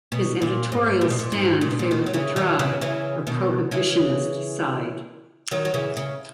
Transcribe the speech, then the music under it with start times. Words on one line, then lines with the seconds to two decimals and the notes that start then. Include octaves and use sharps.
His editorial stand favored the "dry," or prohibitionist side.
0.12 B2
0.42 A#2
0.72 G#2
1.01 A#2
1.10 B2
1.19 A#2
1.32 G#2
1.61 A#2
1.71 B2
1.79 A#2
1.91 B2 D#3
2.06 F#3
2.13 C#3 E3
2.36 D#3 F#3
2.59 C#3 E3
2.81 C#3 E3
3.27 B2 D#3
3.71 C#3 E3
5.51 D#3 F#3
5.65 F#3
5.74 C#3 E3
5.97 C#3